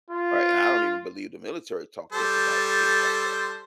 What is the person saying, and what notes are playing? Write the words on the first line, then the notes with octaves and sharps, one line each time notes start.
right? And I don't even believe the military talked to us about things like that
F4
G3 A4 C5